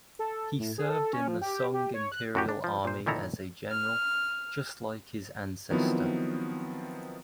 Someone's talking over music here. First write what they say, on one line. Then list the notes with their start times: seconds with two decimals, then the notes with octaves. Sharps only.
He served in the Song imperial army as a general, just like his ancestor.
0.19 A4
0.59 A2
0.78 G#4
0.90 A4
1.13 C#4
1.28 F3
1.42 G4
1.54 G4
1.74 G4
1.94 C#5
2.12 F#6
2.35 F#2 F#4 G4
2.49 D4
2.64 F3
2.85 A#2 C5
3.06 A#2 D#3 E4 A4 A#5
3.70 F6
5.70 D#3 F3 F#3 B3 C4 E4